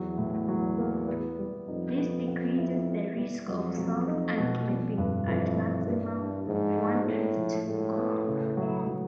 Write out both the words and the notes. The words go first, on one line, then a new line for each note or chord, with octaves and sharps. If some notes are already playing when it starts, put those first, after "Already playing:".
This decreases the risk of self-unclipping: at maximum, one twist goes off.
Already playing: E2 F#3
A2
F#3
A#3
B3
G3
F2 D#4
B3
B3
E4
B3
G3
F2 F#3
F#3
D#4
B2
F2 G3
G2
F2 E3
E3
G2 A#3
D4
G#2 F3
D4
A2 G#3
F3
A2 G#3
B3
C#3
F#3
F#3